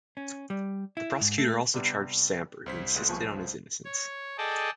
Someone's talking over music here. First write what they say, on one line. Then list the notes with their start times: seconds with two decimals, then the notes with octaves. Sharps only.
The prosecutor also charged Samper, who insisted on his innocence.
0.17 C#4
0.50 G3
0.97 E4
1.21 G#2
1.38 A3
1.74 C3 G3 B3 D4 G4
2.66 C2 C#4 C5 B6
2.95 C#2 G#3 A3
3.09 F3 G#5 C#6
3.85 C#5
4.38 G#4 A4 D5 D#5 G5 A5